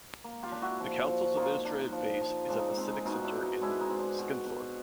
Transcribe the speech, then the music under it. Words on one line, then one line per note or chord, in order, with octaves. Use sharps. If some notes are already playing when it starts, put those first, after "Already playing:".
The council's administrative base is at the Civic Centre in Scunthorpe.
A#3
F4 G4
D4
E4 F#4
F3
F3
A#3 D#4 F4
D4
F3
F3
G#3 D4
D#4
D4
C4
D#4
B2 D#4 F4
D4 E4
B2
D#4
G#3 D4 E4
D#4
C4
D4
B2
B2